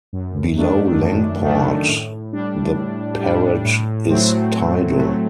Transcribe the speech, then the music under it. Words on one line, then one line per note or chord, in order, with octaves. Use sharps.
Below Langport the Parrett is tidal.
F#2
D#3 A3 D4
F#2
D#3 A3 D4
A2
G3 D4
A2
G3 D4
A2
F#3 A3 C4
A2
F#3 A3 C4